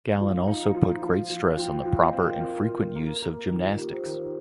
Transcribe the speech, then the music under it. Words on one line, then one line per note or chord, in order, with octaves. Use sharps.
Galen also put great stress on the proper and frequent use of gymnastics.
F3 F5
D#4
F3
F3
F3 F5
F3 G5
F3 F5
D#5
C4
A#4
F4
F4
A#3
A#3
D#3 F4
F4
A#3 G4
C5
D#3